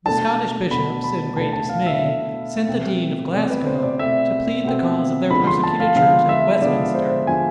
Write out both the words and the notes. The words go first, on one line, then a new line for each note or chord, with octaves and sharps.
The Scottish Bishops, in great dismay, sent the Dean of Glasgow to plead the cause of their persecuted Church at Westminster.
B2 A3 D4 A5
B2 A3 D4 B5
B5
B2 A3 D4 A5
A5
F5
E5
B2 A3 D4
B2 A3 C4
B2 A3 C4 D5
B4
C5
D5
B2 A3 C4 E5
B2 A3 C4
D3 F3 G#3 B3 B5
C6
A5
F5
D3 F3 G#3 B3 F5
E5
D3 F3 G#3 B3 D5
C5
D3 F3 G#3 B3 G#5